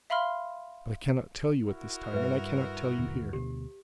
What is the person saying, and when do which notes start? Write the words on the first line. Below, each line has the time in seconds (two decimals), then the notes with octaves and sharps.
But I cannot tell you at this time, and I cannot tell you here.
0.10 E5 F5 B5 C6 F6
1.68 E4 F#4 A#4
2.14 G2 B4 E5
2.98 D#2 A2 D3
3.33 D2 B2 G4